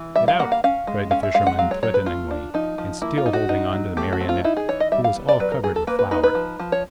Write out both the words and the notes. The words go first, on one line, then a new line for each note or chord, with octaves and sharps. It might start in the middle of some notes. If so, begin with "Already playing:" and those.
"Get out!" cried the Fisherman threateningly and still holding onto the Marionette, who was all covered with flour.
Already playing: E3
G3 E5
F5
A#3 F#5
F5
C#4 F5
G#3
C#4 F5
E5
G#3 F5
F#5
F#3 F5
C#5
F#3 C#5
B4
A3 F4
D4
F3 D#4
F3
A#3 E4
F4
D#4
F#4
D#4
F#3
A3 G4
F#4
C4
F4
D#4 E4
G#4
E3 C#5
D#5
G3 E5
F5
B3
D5
F#3 B4
A#4
F#3 G#4
A4
A#3 B4
B4
D#4 B4
B4
F3
F3
C#5